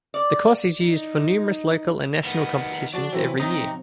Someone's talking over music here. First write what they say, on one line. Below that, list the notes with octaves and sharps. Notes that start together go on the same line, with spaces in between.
The course is used for numerous local and national competitions every year.
D5
D#4
D#3 B3
F3 F#4 D5 A5
E3 F#3 C4
C3 D#4